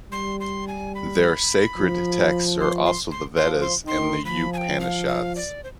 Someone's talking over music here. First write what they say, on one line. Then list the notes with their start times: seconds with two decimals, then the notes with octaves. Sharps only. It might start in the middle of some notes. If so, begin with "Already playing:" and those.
Their sacred texts are also the Vedas and the Upanishads.
0.12 G3 C6
0.40 C6
0.68 G#5
0.95 B5
1.77 F3
2.60 C6
2.85 C6
3.11 C6
3.37 C6
3.43 F3
3.62 C6
3.85 D#3 C6
4.25 F3 B5
4.53 G#5
4.58 G5
4.80 F5
5.08 F5
5.36 D5
5.64 C5